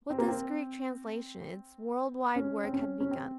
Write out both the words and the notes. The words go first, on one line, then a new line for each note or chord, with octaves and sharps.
With this Greek translation its world-wide work had begun!
C4
A#3
C4
C#4
C4
C#4
C#4
C4